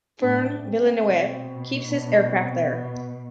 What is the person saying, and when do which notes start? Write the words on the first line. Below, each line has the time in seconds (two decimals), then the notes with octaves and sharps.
Fern Villeneuve keeps his aircraft there.
0.21 A2 D4
0.63 C4
1.05 B2
1.88 D4
2.30 C4
2.71 B3